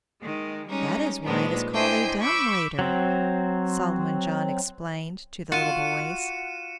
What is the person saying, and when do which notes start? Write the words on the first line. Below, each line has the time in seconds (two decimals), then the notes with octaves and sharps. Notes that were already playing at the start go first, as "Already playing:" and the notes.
"That is why it is called a dumb-waiter," Solomon John explained to the little boys.
0.21 D#3 G#3
0.69 G3 G#3 C#4 D#4
1.22 A#2 D#3 F3 G#3 B3 D4
1.73 D4 E4 C5 D#5 G5 G#5
2.19 B5 C#6 D6 E6 G6
2.79 F#3 C4
5.52 F4 F#4 C#7 D#7 E7